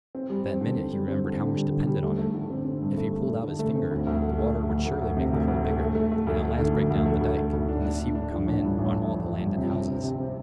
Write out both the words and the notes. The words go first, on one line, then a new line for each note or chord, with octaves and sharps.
But that minute he remembered how much depended on him; if he pulled out his finger, the water would surely make the hole bigger, and at last break down the dike, and the sea would come in on all the land and houses.
C4
G3
C4
D3
D3
G3
C4
D3
D3
G3
D3
G3
A3
A3
D3
C4
C4
G2
A3
A3
A3
D3
A3
C4
D2
D2
A3
A3
A3
D2
D2
D2
C3
D2
D2
A3
A3
A3
A3
D2
A3
D3
D2
D2
A3
D2
A3
D2
D4
D4
D4
D4
F3
A1
G2
A1
F3
F3
F3
G2
C3
C3
C4
C3
C4